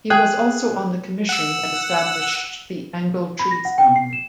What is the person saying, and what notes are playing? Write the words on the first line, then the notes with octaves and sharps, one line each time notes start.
He was also on the commission that established the Angle Tree Stone.
G#4 G5 F#6
F#5 E6
B5
A#6
F#5
G5
C7
E7